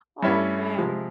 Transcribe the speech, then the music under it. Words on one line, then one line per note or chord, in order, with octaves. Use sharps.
Oh man.
G2 G3 C#4 E4 E5
C3 F3 G#3